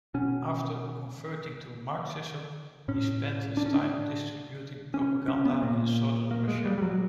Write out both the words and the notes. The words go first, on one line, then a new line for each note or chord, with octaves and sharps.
After converting to Marxism, he spent his time distributing propaganda in southern Russia.
B2 C#4
A2 C#4
D4
C#4
D4
C#4
C#4
B3
A#2 A#3
A#3
G#3
G3
G3
F#3